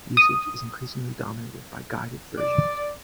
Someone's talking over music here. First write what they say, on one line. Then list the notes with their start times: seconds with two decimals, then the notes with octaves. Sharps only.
Usage is increasingly dominated by guided versions.
0.17 D#6
2.38 D5